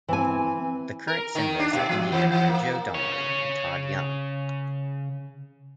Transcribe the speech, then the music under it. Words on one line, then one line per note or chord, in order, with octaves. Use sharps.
The current senators of Indiana are Joe Donnelly and Todd Young.
E3 C4 G#5
A#4
D#3
D4
B2
F3
E3
E3
A#3
C#3 C#5